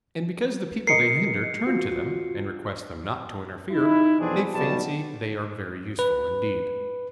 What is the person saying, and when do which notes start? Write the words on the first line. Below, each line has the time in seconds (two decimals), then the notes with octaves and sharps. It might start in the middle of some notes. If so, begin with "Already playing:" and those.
And because the people they hinder turn to them and request them not to interfere, they fancy they are very useful indeed.
0.87 A#4 D#5 C7 C#7
1.67 F4 F#4
3.71 D#4 E4
4.19 F2 B2 E3 C4 D4 G#4
4.53 B1 E2 B2 G3 A3 A5
5.99 B4